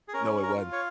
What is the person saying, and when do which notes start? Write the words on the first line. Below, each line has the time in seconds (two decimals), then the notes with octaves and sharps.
No, it wasn't.
0.08 G#4
0.13 C#4 A#4
0.43 A#4
0.57 F4
0.72 C#5